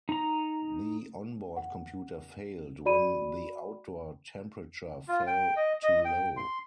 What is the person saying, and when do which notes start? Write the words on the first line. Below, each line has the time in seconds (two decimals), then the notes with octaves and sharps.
The on-board computer failed when the outdoor temperature fell too low.
0.09 D#4 A#5
1.57 F#5
2.85 F#4 D5 B5 D#7
5.08 F4
5.27 G5
5.56 D#5
5.83 D#5
6.05 G5
6.37 C6